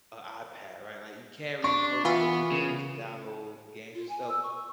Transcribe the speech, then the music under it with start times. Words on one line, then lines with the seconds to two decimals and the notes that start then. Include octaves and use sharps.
a iPad, right, like, you can't read books, but you was able to download games and stuff,
1.64 D4 C#6
2.05 E3 B3 F4
2.52 C#3
3.95 F4
4.09 G#5
4.29 E6
4.43 C#6